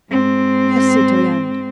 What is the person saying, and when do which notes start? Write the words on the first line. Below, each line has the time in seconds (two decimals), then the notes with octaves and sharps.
"Yes, citoyen."
0.11 G#2 C4